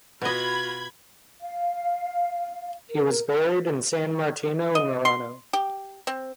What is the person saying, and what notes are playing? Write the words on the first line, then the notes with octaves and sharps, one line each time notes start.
He was buried in San Martino in Murano.
B2 F4 F#4 D#5 B5 G#6
F5
A#4
D#5
C6
G4
C4